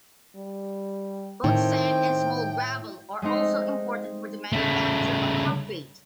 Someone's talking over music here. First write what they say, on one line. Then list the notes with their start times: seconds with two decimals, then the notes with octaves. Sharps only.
Both sand and small gravel are also important for the manufacture of concrete.
0.36 G3
1.44 A2 D#3 C4 G5
3.22 G#3 A3 C4 D#4
4.52 C#3 A3